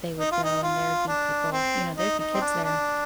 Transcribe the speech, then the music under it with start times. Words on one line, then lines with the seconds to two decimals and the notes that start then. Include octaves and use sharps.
they would go, and there'd be people you know, there'd be kids there,
0.19 D#4
0.32 F4
0.44 D#4
0.63 F4
1.08 D4
1.52 C4
1.97 D#4
2.19 D#4
2.34 C4
2.41 D4
2.64 D4